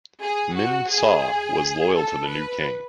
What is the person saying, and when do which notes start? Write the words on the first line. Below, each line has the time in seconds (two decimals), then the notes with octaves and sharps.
Min Saw was loyal to the new king.
0.21 G#4
0.56 F#4
0.90 G#4
1.94 A4
2.29 B4